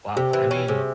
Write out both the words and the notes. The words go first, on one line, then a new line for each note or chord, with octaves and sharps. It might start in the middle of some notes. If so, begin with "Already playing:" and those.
Wow, I mean,
C3 G4
E3
C#4
C3 G#4